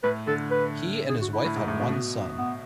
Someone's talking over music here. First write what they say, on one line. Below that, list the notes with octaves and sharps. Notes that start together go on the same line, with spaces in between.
He and his wife had one son.
A2 B4
D3 A4
B4
G#4
F#4
E4
A2
G#2
A2
B2
B2
B3